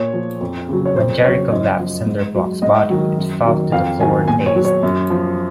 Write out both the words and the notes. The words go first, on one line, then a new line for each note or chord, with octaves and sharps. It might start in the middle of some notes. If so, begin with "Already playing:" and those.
When Jericho left Cinderblock's body, it fell to the floor dazed.
Already playing: A#2 C#5
F3
F2
C#3 F#3
C#5
F2 C5
C#3 F#3 C#5
F#2 D#5
F3
G#2
F#3
G#2 D#5
D#3 F#3
F#2
D#3 F#3
F2 F5
D#3 F#3 G#5
A#2 G#5
C#5
F#3
C#5
F#2
F3